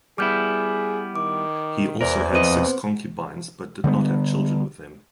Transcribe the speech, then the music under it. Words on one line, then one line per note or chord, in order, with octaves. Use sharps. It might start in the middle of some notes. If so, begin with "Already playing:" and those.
He also had six concubines but did not have children with them.
G3 B3 E4 G#4 D6 F6 G6
D#3 D6
E2 E3 A#4 C5 D5
F2 C4 B4 C5 D#5
D3 G3 G#3 B3